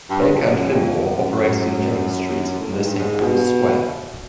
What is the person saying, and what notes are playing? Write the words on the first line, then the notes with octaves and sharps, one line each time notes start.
Baker and Finnemore operated in James Street, near Saint Paul's Square.
G2
F2
F#2
E2
F2
F#2
A2
G#2
G2
G#2
B2